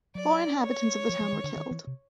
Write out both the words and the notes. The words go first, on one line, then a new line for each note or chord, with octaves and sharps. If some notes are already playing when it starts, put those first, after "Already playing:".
Four inhabitants of the town were killed.
F#3 D5
C#5
F3
F3
D#3
D3
D#3
E3
C3